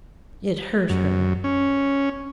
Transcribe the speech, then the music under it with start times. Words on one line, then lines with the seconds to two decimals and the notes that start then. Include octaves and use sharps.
It hurt her.
0.90 F#2
1.44 C#4